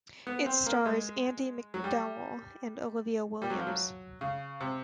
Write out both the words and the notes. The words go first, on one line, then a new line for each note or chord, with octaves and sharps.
It stars Andie MacDowell and Olivia Williams.
B3
C4
A#3
G#3
F#3
G3
G3
F#3
F3
F#3
C#3
C3